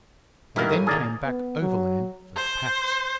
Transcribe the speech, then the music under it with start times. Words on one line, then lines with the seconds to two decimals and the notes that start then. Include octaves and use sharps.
They then came back overland for the packs.
0.56 G2 D#3 A#3 E4 A#4
0.71 A2 G#5
0.87 B2 D#3 A#3 G#4 A#4 D5
1.25 B3
1.61 F#3
2.36 C5